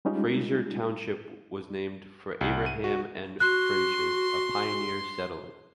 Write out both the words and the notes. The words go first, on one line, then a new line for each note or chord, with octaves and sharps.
Fraser Township was named for Abraham N. Fraser, a pioneer settler.
G3 G#3 C#4 D#4 F4 G4
C2
D#7
F#4
F#4 C6 F#6